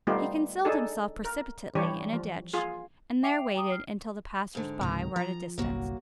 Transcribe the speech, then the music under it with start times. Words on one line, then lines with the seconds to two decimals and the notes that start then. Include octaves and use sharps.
He concealed himself precipitately in a ditch, and there waited until the passers-by were at a distance.
0.07 G3 A3 B3 D#4 F4 G4
0.65 D4 D#4 G#4 A4
1.24 A#4
1.75 E3 G3 D4 G4 C#5
2.13 F3
2.53 F4 G#4
3.23 E5 G5 D6 C7 D7 F7
3.54 G5 A#5 D6 D#6
3.70 F6 C7
4.55 G#2 D3
4.81 C#2 G#2 C3 D#3 A#5
5.16 F3 A#5
5.58 G1 C2 F#3 A#3 F#4